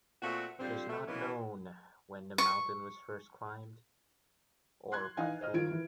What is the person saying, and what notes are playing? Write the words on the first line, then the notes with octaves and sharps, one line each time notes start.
It is not known when the mountain was first climbed, or by whom.
A#2 A3 C4 F#4
D3 F3 G3 C4
A3
B2 E3 G#3 A#3 B3 C#4
C#6
C6 F#6 G#6
E3 D#4 F5 G#5
C5 D#5 F6
D#3 F4 G#6 D7
E3